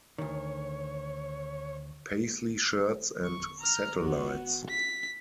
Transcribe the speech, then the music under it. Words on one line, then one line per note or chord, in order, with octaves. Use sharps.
Paisley shirts and satellites.
D2 D#3 C#5
C#6
A#5 F6
B3 F#4
B6